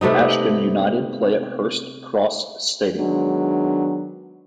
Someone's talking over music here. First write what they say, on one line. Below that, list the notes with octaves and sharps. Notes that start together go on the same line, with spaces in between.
Ashton United play at Hurst Cross stadium.
C3 A3 B3 D#4
D#3 F#3 G#3 B3 D4